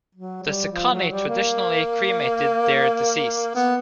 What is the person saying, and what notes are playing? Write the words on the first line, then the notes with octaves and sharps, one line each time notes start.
The Sekani traditionally cremated their deceased.
F#3
G3
F3
F#3
G3
A#3
B3